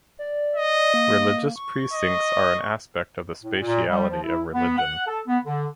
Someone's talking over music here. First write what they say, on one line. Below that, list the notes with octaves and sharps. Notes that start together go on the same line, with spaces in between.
Religious precincts are an aspect of the spatiality of religion.
D5
D#5
A#3
C#6
D#5
A2
A#2
G3
F3
E4
B3
F#5
A4
B3
D3